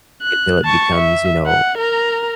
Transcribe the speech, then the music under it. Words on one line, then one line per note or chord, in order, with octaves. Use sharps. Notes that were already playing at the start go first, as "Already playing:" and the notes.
until it becomes, you know,
F#6
A5 C#6
E5
F#5
A#4 A#5